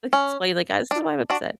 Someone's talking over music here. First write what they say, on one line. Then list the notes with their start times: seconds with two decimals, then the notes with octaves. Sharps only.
like, explain, like, "Ah, this is why I'm upset."
0.13 C#4
0.91 D4
1.30 D4 F#4